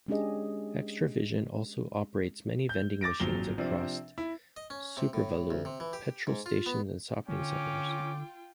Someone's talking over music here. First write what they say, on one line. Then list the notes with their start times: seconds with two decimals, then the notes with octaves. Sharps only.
Xtra-Vision also operates many vending machines across SuperValu, petrol stations and shopping centres.
0.08 G#3 C#4 D4 G4 G#4 D#5
2.69 G6
3.01 D6 A6 A#6 D7
3.20 G#1 A#2 F3 F#3 G7
3.58 C3 F3 C4 D4
4.18 E4
4.57 D#5
4.70 C#4
4.97 C3
5.13 A2
5.51 D2
5.65 C3
5.80 E3
5.93 G4
6.27 G#2
6.46 F4
6.66 B3
7.29 D3 C#4 F4 G5 D6